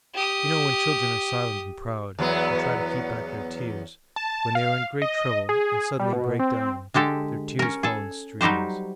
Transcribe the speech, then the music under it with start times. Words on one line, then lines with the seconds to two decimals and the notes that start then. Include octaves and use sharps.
You know, when children are silent and proud, and try to keep back their tears when they are in great trouble and suddenly break down, their tears fall in streams.
0.14 G4 D#6
2.19 E2 F#3 B3
4.16 A5
4.55 F5
5.02 D#5
5.49 G#4
6.00 G3
6.13 B2
6.39 C4
6.94 D3 G#3 G4 A4
7.59 C#4 A#4
7.83 G#4 A4
8.41 F#3 G3 D#4 G4 C5